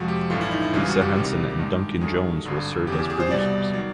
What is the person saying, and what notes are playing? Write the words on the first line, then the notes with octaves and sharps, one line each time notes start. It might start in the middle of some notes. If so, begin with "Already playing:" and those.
Lisa Henson and Duncan Jones will serve as producers.
Already playing: F2 C3 F3 G#3 F#4
G4
A1 G2 E3 A3 F4
E4
D#4
E4
G#1 F#2 C#3 E3 G3 F4
F#4
G4
C2 C3 D#3 G3
G2 D#3 G#3
G2 D#3 F#3 A3 G#4
G#1 G2 D3
E2 C#3 E3 G4
G4
G#4
C5
C2 B2 G3 D5
D#3 F#3